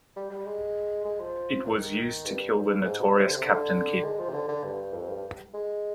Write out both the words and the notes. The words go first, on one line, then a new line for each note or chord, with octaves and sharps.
It was used to kill the notorious Captain Kidd.
G3
G3
G#3
G#3
F3
D#3
G2
G#2
B2
C3
D3
C3
D3
G#3
F3
C3
D3
D3
G2
F2
G2
G#3